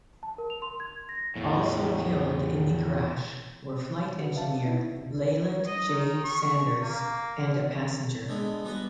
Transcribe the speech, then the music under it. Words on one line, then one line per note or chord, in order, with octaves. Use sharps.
Also killed in the crash were flight engineer Leland J. Sanders, and a passenger.
A5
A#4
F7
C6
G#6
A#6
E2 A2
F#4 B4
D5 E5 F5 A5
B3 D#4 E4
C#2 C3
D#5
D#3
C#6
A#3
D3 G#3 B3
G3 B3 F#4 B4